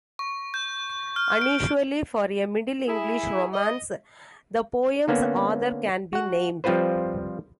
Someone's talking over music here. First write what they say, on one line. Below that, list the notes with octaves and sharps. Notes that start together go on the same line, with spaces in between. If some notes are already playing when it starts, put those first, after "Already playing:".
Unusually for a Middle English romance, the poem's author can be named.
C#6
G6
F6
D7
E4 G#4
D#5
D3 A#3 B3 C#4
F#4 F#5
F3 G3 C4 F4 B4 C5